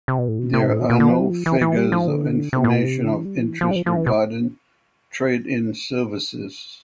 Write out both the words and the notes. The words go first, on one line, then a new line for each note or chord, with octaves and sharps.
There are no figures or information of interest regarding trade in services.
C3
B2
A2
B2
C3
A2
B2
B2
D3
F3
G3
F3
E3
E3
G3
F3
D3
C3
A2
B2
C3
D3
E3
G3
F3
E3
F3
G3
F3
F3
E3
B2